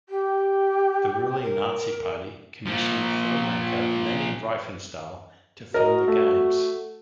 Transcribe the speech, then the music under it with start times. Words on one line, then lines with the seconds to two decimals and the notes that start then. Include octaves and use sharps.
The ruling Nazi Party commissioned film-maker Leni Riefenstahl to film the games.
0.09 G4
1.42 A#4
2.67 A#2 F3
5.74 F#4 A#4 D#5
6.08 A3